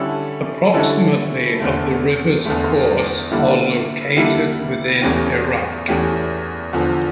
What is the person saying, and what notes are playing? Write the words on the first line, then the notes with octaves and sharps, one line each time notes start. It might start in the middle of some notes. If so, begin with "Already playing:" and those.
Approximately of the river's course are located within Iraq.
Already playing: D3 G3 C#4 E4 A4
D3 G3 C#4 E4 A4
E2 D3 A3
E2 D3 A3
D3 G3 A#3 E4
D3 G3 A#3 E4
E2 E3 A3 C#4 G4
E2 E3 A3 C#4 G4
E2 D3 F3